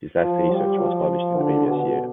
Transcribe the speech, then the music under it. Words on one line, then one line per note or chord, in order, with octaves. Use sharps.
His last research was published in the previous year.
F3
G3
F3
D3
B2